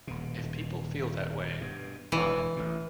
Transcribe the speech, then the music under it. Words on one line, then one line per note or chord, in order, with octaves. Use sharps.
If people feel that way - fine.
D#1 B2
G2 B2
E1 F2 D3 E3
A1 A2